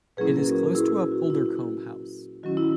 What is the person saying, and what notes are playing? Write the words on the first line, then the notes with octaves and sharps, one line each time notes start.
It is close to Appuldurcombe House.
A#2 F#3 A#3 C#4 E4 G#4 B4
F#4 A#4
E4 G#4
F#4
F#4
E4
D#3 F#3 C#4 E4 F#4
E4